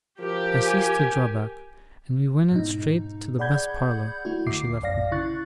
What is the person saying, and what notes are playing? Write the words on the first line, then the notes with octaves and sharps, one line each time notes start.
I ceased to draw back, and we went straight to the best parlour, where she left me.
F3 G4 A#4
G#5
G#2 B2 D#4
G#4 D5 F#5 B5 G6 G#6
A3 E4 F#4
D2 E5 D6 C7
A#1 F#2 D5 F5 A#6
C#3 E4 C#6 F#6 A6